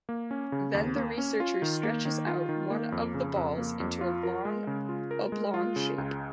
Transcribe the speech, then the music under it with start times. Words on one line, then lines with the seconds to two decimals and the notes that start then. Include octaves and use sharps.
Then the researcher stretches out one of the balls into a long oblong shape.
0.09 A#3
0.31 C#4
0.52 C#3
0.74 D#2
0.96 A#3
1.18 C#4
1.40 F4
1.62 D#3
1.83 A#3
2.05 D#3
2.27 F4
2.49 D#3
2.70 A#3
2.92 F2
3.14 C#3
3.36 F2
3.58 A#3
3.80 F2
4.01 F4
4.23 A#4
4.45 G#3
4.67 C#3
4.89 F4
5.11 A#4
5.32 G#3
5.54 F4
5.76 C#3
5.98 C#2